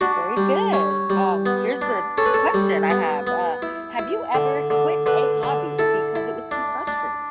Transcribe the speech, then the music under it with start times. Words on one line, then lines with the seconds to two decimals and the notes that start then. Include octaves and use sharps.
Very good, um, here's the question I have, uh, have you ever quit a hobby because it was too frustrating?
0.01 D4 F#4
0.37 G3
0.73 C#4
1.10 G3
1.46 B3
1.82 D4
2.18 C#4 A4
2.26 B4
2.34 A4
2.54 G3
2.90 B3
3.27 B3
3.62 E4
3.99 E4
4.35 D3
4.70 D3
5.06 D3 B4
5.43 D3
5.79 E4 A4
6.16 E4
6.51 D4
6.87 D4